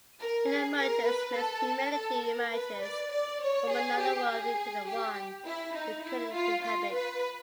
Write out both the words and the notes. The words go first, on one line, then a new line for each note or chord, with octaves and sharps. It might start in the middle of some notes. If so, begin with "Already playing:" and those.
In emergence myths humanity emerges from another world into the one they currently inhabit.
A#4
G#4
A#4
B4
A4
A4
A#4
B4
D5
D5
C#5
G#4
G4
G#4
G4
E4
D#4
E4
F4
F4
B4